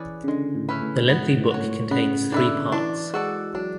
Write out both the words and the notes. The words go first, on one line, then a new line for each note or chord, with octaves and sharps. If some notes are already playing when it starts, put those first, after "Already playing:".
The lengthy book contains three parts.
Already playing: E3 C#4 G#4 B4 D5
C#3
D3 G#3
A2
C#4 E4 B4
A2
G#2 B3
A2
F#4 C#5
A2
C#3 B3
D3 E4 B4 D5
E3 D4
G#3 F#4 A4 D5
F#3 D4